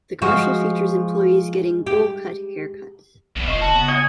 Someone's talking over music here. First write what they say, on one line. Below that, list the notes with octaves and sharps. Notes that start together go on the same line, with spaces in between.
The commercial features employees getting "bowl cut" haircuts.
F3 G#3 F#4 C#6
G4
B1 E2 B2
E1 F3 C5 D#5 C#6
C#3 F#4 A5
B3
C#5 D#5 G#5